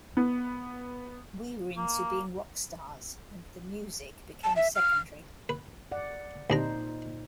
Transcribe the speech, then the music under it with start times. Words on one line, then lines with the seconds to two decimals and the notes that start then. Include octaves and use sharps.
We were into being rock stars and the music became secondary.
0.17 B3
1.77 A#3
4.44 A5
4.56 E5
4.75 F6
5.49 B4
5.92 D5 F#5
6.50 C2 A#2 D4 D#4 C5 A#5